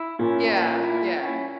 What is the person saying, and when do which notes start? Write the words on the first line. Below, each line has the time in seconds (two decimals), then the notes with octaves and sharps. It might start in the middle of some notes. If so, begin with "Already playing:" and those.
Yeah, yeah.
Already playing: E4
0.19 A#2 C#4
0.52 A#3
0.84 E4
1.16 C#4